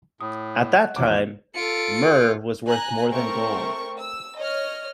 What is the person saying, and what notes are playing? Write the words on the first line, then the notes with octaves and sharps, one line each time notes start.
At that time, myrrh was worth more than gold.
A2 D#6
D#5 F#5 F#6
D#2 E3 F#3 D6
F4 A4 C#7 D7
G#5 A#5 F#6
A3 C4 A#4 C#6
E6
C#5 D#5 F6